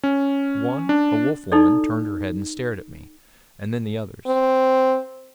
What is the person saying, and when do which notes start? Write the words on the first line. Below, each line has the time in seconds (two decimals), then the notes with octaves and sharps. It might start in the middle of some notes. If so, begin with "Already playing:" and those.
One, a Wolf-woman, turned her head and stared at me, and then the others.
0.04 C#4
0.89 D4
1.52 D#4 E4 A4 D5
4.27 C4